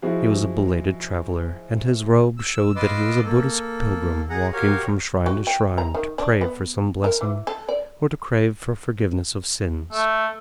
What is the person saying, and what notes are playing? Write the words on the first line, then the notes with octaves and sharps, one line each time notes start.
He was a belated traveler, and his robe showed that he was a Buddhist pilgrim walking from shrine to shrine to pray for some blessing or to crave for forgiveness of sins.
F3 G#3 E4 F#4
E6
F4 B4 D#5 C6 D6 E6
A#3 A4
G#4 F#5 A#5
F#4 G4 A#4 C#5 F5
F#4
G5
A#5
D#3
D4
B3
A#4
E3
A4
D5
A3